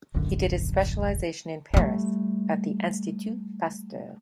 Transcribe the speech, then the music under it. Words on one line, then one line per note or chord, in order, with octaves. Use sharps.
He did his specialization in Paris at the Institut Pasteur.
D#1 A#1 F#2 D3
G3 A3